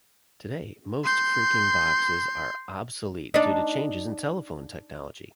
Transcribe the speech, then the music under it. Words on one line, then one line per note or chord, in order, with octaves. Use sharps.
Today, most phreaking boxes are obsolete due to changes in telephone technology.
C6 G6
D4 D#4